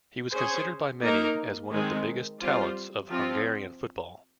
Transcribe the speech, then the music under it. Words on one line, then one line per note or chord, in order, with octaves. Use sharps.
He was considered by many as one of the biggest talents of Hungarian football.
C#4 G#4 C5
A#3 D#4 A#4
D#3 G#3 C4
G3 C4 F4 C5
F3 C4 F4